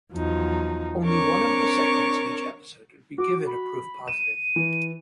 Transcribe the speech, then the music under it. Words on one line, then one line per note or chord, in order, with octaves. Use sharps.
Only one of the segments in each episode would be given a proof positive.
E2 F3 F#3 D#4
C4 D4 A#4 C#5 C#6 D6
F#4 D6
B5
D#7 E7
E3